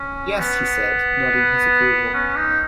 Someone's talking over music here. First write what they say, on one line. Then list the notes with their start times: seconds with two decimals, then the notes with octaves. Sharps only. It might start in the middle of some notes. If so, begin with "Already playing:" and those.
"Yes," he said, nodding his approval.
Already playing: C#4
0.40 B3
2.14 C#4
2.36 D#4